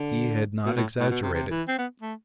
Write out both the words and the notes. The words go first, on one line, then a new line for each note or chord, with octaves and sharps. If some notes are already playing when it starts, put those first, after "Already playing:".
He had not exaggerated.
Already playing: D3
B2
A2
A2
B2
C3
C3
E3
C4
B3
A3